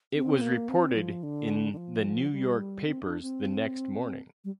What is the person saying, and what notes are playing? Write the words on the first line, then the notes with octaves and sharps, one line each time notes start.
It was reported in the New york papers the next morning.
C4
A#3
C4
F3
D3
D3
F3
G3
C4
D4
C4
G3